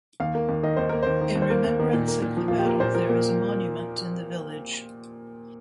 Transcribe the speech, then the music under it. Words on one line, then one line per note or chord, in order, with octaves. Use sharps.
In remembrance of the battle there is a monument in the village.
D#2 F5
A#3
D#2
D#3 D#5
D#2 C5
A#3 A#4
D#2 C5
D#3
D#2
C5
A#3 A#4
D#2
D#3
A#2
A#3
A#2
F3
A#2 F4
G4
A#3 A#4
A#2 C5
F3 A#4
A#2 A#3